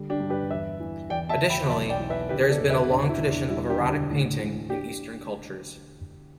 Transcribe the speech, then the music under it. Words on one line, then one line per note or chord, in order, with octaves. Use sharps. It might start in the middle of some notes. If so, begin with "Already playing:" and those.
Additionally, there has been a long tradition of erotic painting in Eastern cultures.
Already playing: D3 G3
D4 G4
G2
G4 B4
E2 B4 E5
E3
E2 D5 G5
E5 A5
E2
G5 B5
B1 E5 A5
D5 G5
E3
B4 E5
D3 G4 B4
A4 D5
E1
B4 E5
E1 D4
E4
E1
D4
G3 E4
D4 G4
D2
D4 G4
A2
E3
D4 G4